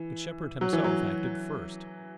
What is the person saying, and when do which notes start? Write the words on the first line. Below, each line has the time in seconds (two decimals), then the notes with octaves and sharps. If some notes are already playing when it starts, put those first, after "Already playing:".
But Shepard himself acted first.
Already playing: E3
0.61 F#3
0.73 E3
0.84 F#3